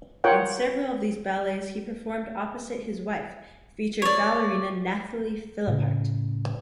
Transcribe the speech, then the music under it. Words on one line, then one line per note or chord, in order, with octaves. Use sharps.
In several of these ballets he performed opposite his wife, featured ballerina Nathalie Philippart.
F4 A#4 C#5 F#5 G5
C#5 D5
A2 C#3